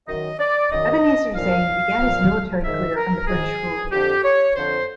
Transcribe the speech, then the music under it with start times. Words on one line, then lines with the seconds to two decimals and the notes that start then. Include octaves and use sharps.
Ebenezer Zane began his military career under British rule.
0.08 F#2 D#3 D#5
0.39 D5
0.71 F#2 D#3 D#5
1.35 A#2 F3 F5
1.99 A#2 F3
2.64 G#2 D#3 E5
2.96 A#4
3.27 G#2 D#3 G#4
3.92 F2 D3 F3 G4
4.23 C#5
4.55 F2 D3 F3 C5